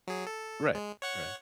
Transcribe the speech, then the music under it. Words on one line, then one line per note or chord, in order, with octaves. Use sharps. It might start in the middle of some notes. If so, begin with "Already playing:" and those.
Right, right.
F#3 G#4
A4
G#3
C#5 F#5 C#6